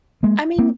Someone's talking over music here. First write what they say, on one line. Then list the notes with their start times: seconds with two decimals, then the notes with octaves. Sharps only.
I mean,
0.23 G#3 A#3
0.58 A#3 C4